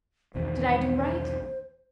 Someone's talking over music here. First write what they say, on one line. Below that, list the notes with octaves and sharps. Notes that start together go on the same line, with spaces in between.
Did I do right?
B1 E2 D#3 C5